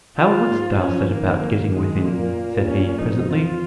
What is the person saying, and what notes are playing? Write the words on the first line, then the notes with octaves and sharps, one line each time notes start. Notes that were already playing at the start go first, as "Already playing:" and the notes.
"How wouldst thou set about getting within?" said he, presently.
F4
G#2
F3 C#4
D#3 A#3
D#3 G#3
A#2 A#3
C#4
F2 D#4
F4